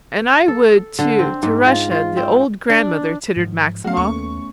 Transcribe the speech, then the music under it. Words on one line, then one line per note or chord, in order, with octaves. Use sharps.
"And I would, too ... to Russia, the old grandmother!" tittered Maximov.
A4
D3
C4
G#2
F4
F4
C4
D4
G#2 F3
A3 B3 C#4 F#4 F5
D#2 A#3 C#6